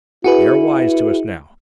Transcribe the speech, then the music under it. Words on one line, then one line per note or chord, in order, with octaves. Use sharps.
They are wise to us now.
E4 F#4 G#4 B4